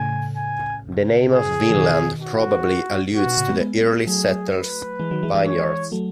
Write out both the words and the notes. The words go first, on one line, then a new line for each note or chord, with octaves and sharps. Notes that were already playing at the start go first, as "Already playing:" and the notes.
The name of Vinland probably alludes to the early settlers' vineyards.
Already playing: A2 C#3 G#5
G#5
G#4
E3
B2 D#3
F#4
F#4
B2
A2 C#3
G#3 B3
G#3 B3
F#3 A3 G#4
B4
E3 G#3
D#3 F#3
E3 G#3
E3 G#3
C#5
F#3 A3